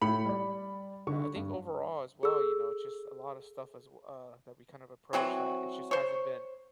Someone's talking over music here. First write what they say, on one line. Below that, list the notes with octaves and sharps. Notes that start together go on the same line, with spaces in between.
I I think overall, as well, you know, it's just a lotta stuff as w uh, that we, kind of approach that it just hasn't been
A2 B5 C#7
G3 D5
D3 C#6
G2
G#4 A4 E6
E3 F#3 C4 F#4
C5 C#5